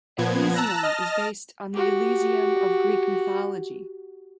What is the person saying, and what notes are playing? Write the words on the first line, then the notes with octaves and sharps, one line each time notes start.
Elysium is based on the Elysium of Greek mythology.
A#2 F3 B3 G#6
A5 A#5 E6 F#6 A#6
D#5 A5 F6 A#6
F#4 G4